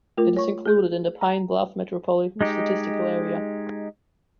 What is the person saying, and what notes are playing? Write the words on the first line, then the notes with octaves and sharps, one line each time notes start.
It is included in the Pine Bluff Metropolitan Statistical Area.
A3 F4 A#4
C#5 C#6
G#4 G6
A#5
G#3 D#4 G4